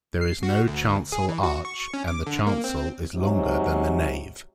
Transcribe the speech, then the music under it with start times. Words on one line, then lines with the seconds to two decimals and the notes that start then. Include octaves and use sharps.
There is no chancel arch, and the chancel is longer than the nave.
0.21 C7
0.43 F#4
0.68 D2
1.12 G#4
1.29 E3
1.43 F#4
1.65 C#6
1.94 C#4
2.08 D6
2.27 D3
2.47 A#3
2.64 C4
3.15 G#2 C3 F#3